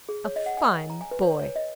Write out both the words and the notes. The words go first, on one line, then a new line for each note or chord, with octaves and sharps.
"A fine boy."
G#4
C#5
D#5
F#5
G#5
A#5
G#5
B4
C#5
C#5
D#5